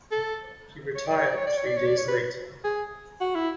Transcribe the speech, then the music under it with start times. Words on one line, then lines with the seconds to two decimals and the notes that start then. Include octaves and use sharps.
He retired three days later.
0.11 A4
0.95 C#5
1.06 D5
1.16 C#5
1.26 D5
1.36 C#5
1.47 D5
1.57 C#5
1.67 D5
1.77 C#5
1.87 D5
1.98 C#5
2.08 B4
2.65 G#4
3.21 F#4
3.35 E4